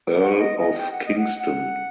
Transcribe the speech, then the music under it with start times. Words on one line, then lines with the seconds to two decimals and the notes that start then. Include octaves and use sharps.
Earl of Kingston.
0.20 F#5
0.35 D5
0.38 D#5
0.59 D#5
0.78 G5
0.91 F#5
1.05 D#5
1.17 F#5
1.37 F#5